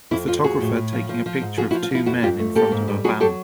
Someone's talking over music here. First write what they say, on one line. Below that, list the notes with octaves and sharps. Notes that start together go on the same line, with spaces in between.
A photographer taking a picture of two men in front of a banner.
F2 E4
F2 F4
F2 F#4 G#4
A2
A2
F3
F3
F3
G#2
F3 F#4 G#4
E4 F#4
F3
F4
F3 E4
F2 E4 F#4
F2 F4 G4
A3
A#3 G4 A4
G#2
G3
F#3 F#4 G#4
F#3 G4 A4